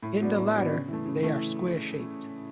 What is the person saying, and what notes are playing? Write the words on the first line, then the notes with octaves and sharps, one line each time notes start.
In the latter they are square-shaped.
A2
F#3 B3 D4
A2
F#3 B3 D4
C#3
E3 A3
C#3
E3 A3